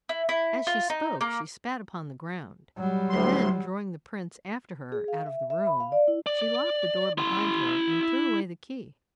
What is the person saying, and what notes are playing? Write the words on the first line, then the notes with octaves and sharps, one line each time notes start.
As she spoke she spat upon the ground, and then drawing the prince after her out of the room, she locked the door behind her and threw away the key.
E4
E4
F4
D#4
A#3
F#3 G3
D2 A2 C6
G#4
F5
E5
E5
B5
F5
D5
E4
D5
E4 C6